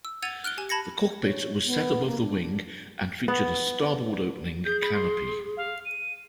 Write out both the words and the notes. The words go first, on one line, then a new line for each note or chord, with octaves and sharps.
The cockpit was set above the wing, and featured a starboard-opening canopy.
E6
F#5 E6 G#6 A6 D#7 F7
F6 F#6 D7 G7
G4 G#5
A5 B5 G#6 A#6 C#7
C#5
B3
A#3
D4
D4
B3
G#4 G6
B5
C6
F5
D#7